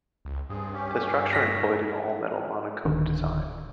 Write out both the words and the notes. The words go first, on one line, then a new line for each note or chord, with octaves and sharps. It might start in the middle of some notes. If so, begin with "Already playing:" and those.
The structure employed an all-metal monocoque design.
C#2
G2 C4 G#4
C#4 G4
A#6 B6
D1 D3 D#3 D4